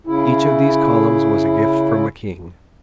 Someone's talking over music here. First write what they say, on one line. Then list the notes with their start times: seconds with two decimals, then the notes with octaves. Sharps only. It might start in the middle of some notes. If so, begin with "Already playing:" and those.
Each of these columns was a gift from a king.
0.07 C#3 E4